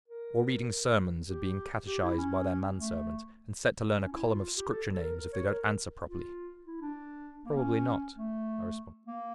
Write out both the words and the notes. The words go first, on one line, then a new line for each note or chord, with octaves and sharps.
Or reading sermons, and being catechised by their manservant, and set to learn a column of Scripture names, if they don't answer properly?' 'Probably not,' I responded.
A#4
G4
G4
E4
C#4
A3
C#4
E4
F4
G4
A4
A4
A#4
A#4
C#5
A#4
A#4
F4
E4
D4
A#3
C#4
A3
A#3